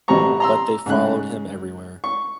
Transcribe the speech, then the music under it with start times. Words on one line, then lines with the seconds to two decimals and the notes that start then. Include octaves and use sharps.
But they followed him everywhere.
0.08 A1 B2 G3 C4 A#5 C#6
0.40 A#5 C6 E6
0.86 G#2 C#3 F#6
2.04 C#6